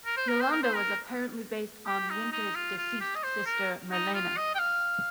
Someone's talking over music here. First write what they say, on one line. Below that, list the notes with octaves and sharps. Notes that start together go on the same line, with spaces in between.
Yolande was apparently based on Wynter's deceased sister Merlene.
A#4
C5
A#4
C5
A#4
C5
A#4
G4
D#4
D#4
F4
F4
G4
D#5
C5
A#4
D#4
F4
D#5
G5
F5